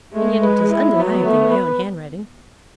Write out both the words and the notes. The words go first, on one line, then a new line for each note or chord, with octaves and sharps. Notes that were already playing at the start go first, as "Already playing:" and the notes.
And yet it is undeniably my own handwriting.
G#3 A3
B4
E4
F#3 B3
A3
B4